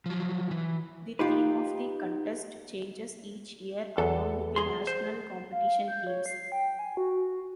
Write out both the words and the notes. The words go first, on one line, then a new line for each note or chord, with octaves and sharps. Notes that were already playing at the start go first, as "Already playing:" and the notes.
The theme of the contest changes each year along with the National competition themes.
F3 F#3
E3
D#4 F4 G4 B4
E2 A4
G#4 C6
C5
F5
G6
C#5
C7
G5
G#5
F#4